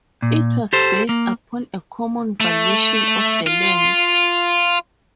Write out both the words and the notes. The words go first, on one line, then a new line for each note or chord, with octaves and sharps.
It was based upon a common valuation of the land.
A#2
G4 A4 C5
A#3
A3
F4